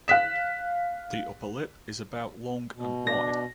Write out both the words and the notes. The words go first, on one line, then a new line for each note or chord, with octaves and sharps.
The upper lip is about long and wide.
F5 F#6 B6 E7
B2
D4 A#6